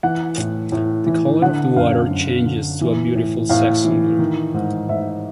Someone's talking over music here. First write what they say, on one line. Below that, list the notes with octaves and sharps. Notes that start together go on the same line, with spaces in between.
The color of the water changes to a beautiful Saxon blue.
E3 F#5
A2
A2
E3
D3 F#5
F#2 F5
F#2
D3
E3
A2
A2 F5
E3
D#3
G#2
G#2 E5